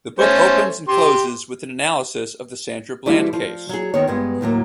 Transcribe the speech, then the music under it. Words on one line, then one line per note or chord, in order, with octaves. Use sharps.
The book opens and closes with an analysis of the Sandra Bland case.
A3 C#4 C5
G4 C6
E3 F3 G3 A3 E4 F#4
F3
F#3 G#4
D#3 B3 C4 C#5
G2 G#3 B3
D2 A2 F#3 A#3